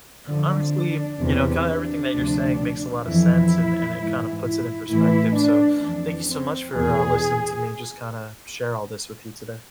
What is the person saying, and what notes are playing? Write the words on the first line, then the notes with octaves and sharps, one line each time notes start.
Honestly, you know, kinda everything that you're saying makes a lotta sense, and and it kinda puts it in perspective. So, thank you so much for, uh, listening to me just kinda share all this with you today.
F2 D3 F3 D4
E2 C3 E3
D4
D2 C3 F3
F2 E3 E4
G#2 E3
E4
A2 E3 E4
D4
F2 E3 D4
C4
E2 B2 G#4